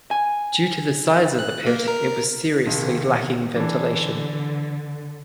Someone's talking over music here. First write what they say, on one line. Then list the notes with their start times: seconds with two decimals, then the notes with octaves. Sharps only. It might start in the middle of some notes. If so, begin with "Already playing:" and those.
Due to the size of the pit, it was seriously lacking ventilation.
0.11 G#5
1.39 F#6
1.66 A#3
1.88 A#4
2.66 A#1 C3 D#3
3.56 D3 E3 D4